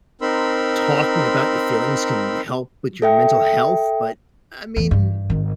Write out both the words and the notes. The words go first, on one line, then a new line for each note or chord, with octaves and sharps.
talking about your feelings can help with your mental health, but, I mean,
C4 D#4 A#4 B5 C6 E6
A4 E5 G5
E2
G2
G#1 D#3